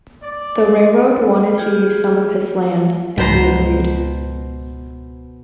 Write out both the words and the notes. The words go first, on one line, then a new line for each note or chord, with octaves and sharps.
The railroad wanted to use some of his land, and he agreed.
D5
F4 G4 G#4
C#2 G#2 B2 C5 A#5